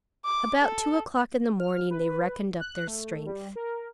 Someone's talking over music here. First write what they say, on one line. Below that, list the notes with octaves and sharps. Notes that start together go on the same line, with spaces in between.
About two o'clock in the morning, they reckoned up their strength.
D6
A4
F6
B4
F#6
A3
G3
A#4